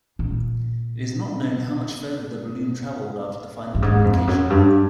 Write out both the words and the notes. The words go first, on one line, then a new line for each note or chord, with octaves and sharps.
It is not known how much further the balloon traveled after the final communication.
A#2
G2
G#2
F2
F#2
G2